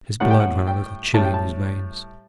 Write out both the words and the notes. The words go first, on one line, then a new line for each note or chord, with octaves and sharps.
His blood ran a little chilly in his veins.
A2 G3 F#5
G5
F#5
G5
A2 G3 A5
G5
A5